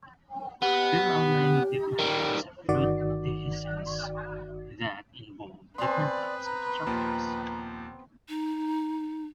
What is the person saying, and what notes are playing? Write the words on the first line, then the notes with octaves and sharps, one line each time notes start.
There are many different types of fruit dehiscence, that involve different types of structures.
B3 G4
D#3 G3
G1 D#3 F#4 D5
B3 C4 B4 D5 G#5 A5 C6
A#5
D#2 A#2 F3
D#4